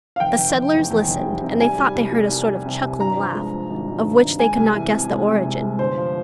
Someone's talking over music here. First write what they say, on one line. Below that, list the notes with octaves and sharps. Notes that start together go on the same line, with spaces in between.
The settlers listened and they thought they heard a sort of chuckling laugh, of which they could not guess the origin.
F5
F1 G5
F1
F1
E2
E2
F1
G3
C3
G3 G#5
G3
C2
G3
C2
G3
C3
C2
G2 A#5
F3
G#3
F3
G#1
G#1
G2
G#1
G#3 G#5
C2
E3
C3
G#3
C3
C3
G#3
G1 C5
F3